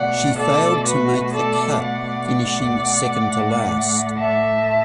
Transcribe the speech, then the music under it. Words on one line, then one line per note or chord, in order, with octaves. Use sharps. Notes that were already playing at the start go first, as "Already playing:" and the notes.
She failed to make the cut, finishing second to last.
Already playing: B2 A3 D5 F#5
A4 D5
F#4 B4
A4 D5
D5 F#5
A2 A3
E5 A5